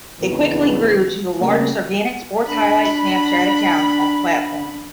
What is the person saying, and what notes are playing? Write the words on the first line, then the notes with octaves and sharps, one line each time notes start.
It quickly grew to the largest organic sports highlight Snapchat account on the platform.
G#1 C#2 E3 B3
C#3 G3 A3 A#3
D4 B5